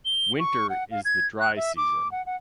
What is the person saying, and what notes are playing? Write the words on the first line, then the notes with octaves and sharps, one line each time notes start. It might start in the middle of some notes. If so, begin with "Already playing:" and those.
Winter is the dry season.
G7
C#6
F#5
F5
G#6
F#6
E5
D6
F#5
F#5